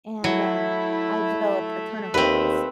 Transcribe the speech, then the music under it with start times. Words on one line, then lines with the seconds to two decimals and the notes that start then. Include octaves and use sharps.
and, um, I've developed a ton of hobbies,
0.24 F#3 A3 E4 E5
2.14 D#2 C4 B4